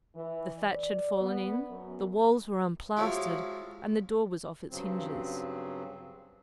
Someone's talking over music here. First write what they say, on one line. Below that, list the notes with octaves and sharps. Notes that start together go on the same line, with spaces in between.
The thatch had fallen in, the walls were unplastered, and the door was off its hinges.
E3
D5
B3
F#2
F3 F#3 G#3 E4 G4
G2 C#3 F#3 C4